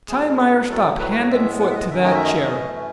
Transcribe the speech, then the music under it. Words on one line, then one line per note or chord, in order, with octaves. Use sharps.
Tie Myerst up--hand and foot--to that chair.
A2 F#3 A3 G#4
A2 F#3 A3 A4
B4
B4
C#5
A2 G#3 B3 E5
F#5
E5
D#5
F#2 D#3 F#3 A3 C#4 E5
D#5
E5
D#5
E5
D#5
F#2 E3 A3 C#4